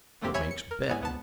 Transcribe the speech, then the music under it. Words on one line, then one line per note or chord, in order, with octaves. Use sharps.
What makes bettin'?
D3 A3 A#3 C4 G4
C#5 E5 G#5 B5 G#6
C#7
A#4
G#2 B3 E4 G#5
C2 B3 A5